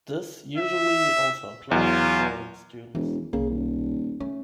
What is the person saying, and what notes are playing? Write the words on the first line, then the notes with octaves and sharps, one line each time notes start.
This usually also applies to foreign students.
E5
E2 F#3 F4
E1 E3 C#4
B1 C#3 A#3
D#1
A3 C#4